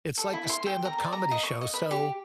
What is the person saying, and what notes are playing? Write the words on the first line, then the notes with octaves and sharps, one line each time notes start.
It's like a stand-up comedy show, so,
A4
E4
C6
G5
A#5
D5
A#5
D#5
C#6
D#5
B4
G4